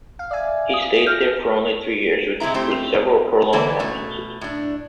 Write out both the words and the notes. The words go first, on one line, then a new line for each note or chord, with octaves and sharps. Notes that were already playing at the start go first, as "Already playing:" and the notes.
He stayed there for only three years, with several prolonged absences.
F5
D5 E5 G#5
F5 D#6
F6 G6 A#6
C3 G#3 C4 E4 A#5
A3 C4 G4 C5
D3 E3 A#3 B3 B4 A5
B2 A3 C#4
A2 D4